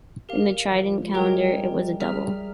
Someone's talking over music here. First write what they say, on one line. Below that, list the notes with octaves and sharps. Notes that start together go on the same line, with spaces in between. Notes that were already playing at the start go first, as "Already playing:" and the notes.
In the Tridentine Calendar, it was a Double.
G4 A#4 F5
F3
G#3
G3 G4 A#4 C#5 G5 A#5
G3 G#4 E5 A#5 F6